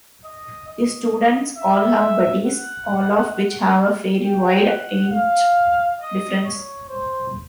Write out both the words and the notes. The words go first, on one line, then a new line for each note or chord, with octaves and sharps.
The students all have buddies, all of which have a fairly wide age difference.
D#5
D#5
E5
F#5
G5
F#5
F5
D#5
C#5
C5